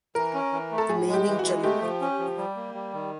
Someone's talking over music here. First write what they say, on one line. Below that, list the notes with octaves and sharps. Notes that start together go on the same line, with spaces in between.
Remaining genera.
E3 A#4
C#4
E3
A3
A4
A2 G#4
G#3
G4
E3
F#4
G#3
A3 G4
F3
C#4
F3
G3
A#3
G3
D#3